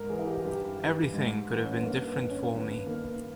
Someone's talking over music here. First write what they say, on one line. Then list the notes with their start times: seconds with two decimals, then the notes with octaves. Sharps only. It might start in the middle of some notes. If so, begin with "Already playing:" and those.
Everything could have been different for me.
Already playing: G#2 A#4
0.09 E3 G#4
0.19 E4
0.27 G4
0.44 G2 G4
0.79 E3
1.14 G#2
1.48 E3
1.64 C#4
1.74 B3
1.83 G2 A#3
2.06 B3
2.17 D#3
2.29 C#4
2.52 G2 B3
2.87 D#3 A#3